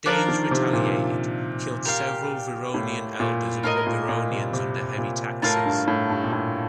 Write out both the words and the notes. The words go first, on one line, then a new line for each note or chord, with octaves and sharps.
Danes retaliated, killed several Vironian elders and put Vironians under heavy taxes.
F3 D4 F4 A#4 D5
D#3
C3
A#2
G4 A#4 D5 F5
A2
A#2
A2 F4 A#4 D#5
A#2
A#2
C3
C3
A#2
A2 F4 A#4 F5 A5
G2
A2
G2
A#2
A2